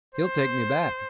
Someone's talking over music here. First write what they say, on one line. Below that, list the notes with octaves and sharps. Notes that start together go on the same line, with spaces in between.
He'll take me back.
C5